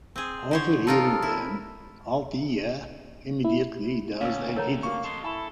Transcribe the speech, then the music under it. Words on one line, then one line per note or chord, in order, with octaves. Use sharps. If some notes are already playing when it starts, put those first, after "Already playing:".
Overhearing them, Althaea immediately doused and hid it.
C4 G#4
D3 C5 C#5
D#4 F4 A4 A#4
E4
E4
D2 C#4 F5 E6
A4 A#4 C#5 A#5
A#3 C#6
A4 D#5 C6
E4 A4 G#5 B5